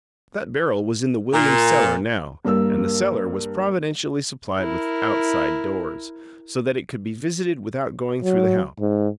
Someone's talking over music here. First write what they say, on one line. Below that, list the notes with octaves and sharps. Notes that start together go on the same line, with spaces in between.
That barrel was in the Williams' cellar now, and the cellar was providentially supplied with "outside doors," so that it could be visited without going through the house.
A#2
G2 A#3 A#4 E6
E4 A#4
F#3
G#2